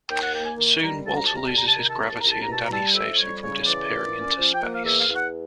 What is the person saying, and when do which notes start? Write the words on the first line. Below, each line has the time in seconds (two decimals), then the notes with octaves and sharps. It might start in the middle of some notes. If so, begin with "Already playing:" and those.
Soon, Walter loses his gravity and Danny saves him from disappearing into space.
0.10 D#2 G5
0.22 F#5
0.34 A#3 G5
0.46 G#5
0.57 D#3
0.82 G3 A#5
1.05 D2 A5
1.16 A#5
1.26 G3 A5
1.36 A#5
1.47 A5
1.53 C3 A#5
1.67 A5
1.76 D#3 A#5
1.89 A5
1.99 C2 A#5
2.10 A5
2.20 C2 A#5
2.31 A5
2.42 A#5
2.47 B2 A5
2.62 A#5
2.71 G3 A5
2.94 F2 E5
3.18 G3 C#5
3.42 C#3 C#5
3.66 E3 D5
3.89 A#2
4.13 C#4
4.37 F3
4.54 G5
4.61 A#3 F#5
4.74 F5
4.84 E2 E5
5.00 F5
5.08 E2
5.16 F#5